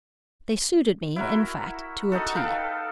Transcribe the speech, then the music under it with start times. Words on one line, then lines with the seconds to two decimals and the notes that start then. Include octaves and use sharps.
They suited me, in fact, to a T.
1.16 E4 F#4 A#4
2.12 D#4 F#4 A4
2.34 A4 B4 F5 G5